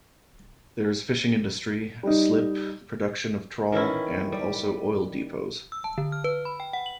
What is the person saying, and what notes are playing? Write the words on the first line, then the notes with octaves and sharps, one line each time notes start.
There is fishing-industry, a slip, production of trawl and also oil-depots.
G3 D#4
D#3 E3 C#4 E4
G3
E6
A5
D3
F6
B4
B5
G5
F#5
F#7